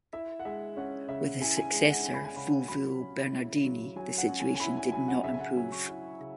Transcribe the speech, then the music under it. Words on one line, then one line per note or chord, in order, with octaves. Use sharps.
With his successor, Fulvio Bernardini, the situation did not improve.
E4 E5
F#5
G#3 E5
C#4 F#5
C#3 E5
E4 G#5
G#5
G#3
F#5
C#4 G#5
B5
G#5
C#3 B5
F#3 B5
C#4
E4
F#3
F#3 G#5
F#5
C#4
G#5
G#5
E4 B5
G#5
F#3 G#5
F#5
C#3 E5
G#5
F#5
F#3 G#5
C#6
E4
C#3